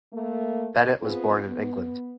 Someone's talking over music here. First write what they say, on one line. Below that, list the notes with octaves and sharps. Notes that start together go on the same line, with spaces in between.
Bennett was born in England.
A3 A#3
B3 C4 F4 G#4
B3